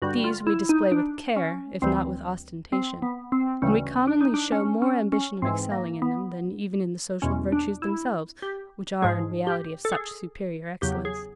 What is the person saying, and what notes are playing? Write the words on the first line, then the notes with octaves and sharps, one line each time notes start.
These we display with care, if not with ostentation; and we commonly show more ambition of excelling in them, than even in the social virtues themselves, which are, in reality, of such superior excellence.
G2 D3 G3 F#4
F4
E4
D#4
D4
C#4
D2 C3 E3 G3 C4
C4
B3
C4
D2 C#3 E3 G3 C#4
D4
D#4
D4
C#4
C#4
C#4
G#2 E3 G#3 C4
A#3
B3
E2 B2 G#3 C#4
D4
E4
G4
G#2 F3 G#3 G#4
G4
A4
G#4
E2 C#3 F#3 G4
G#4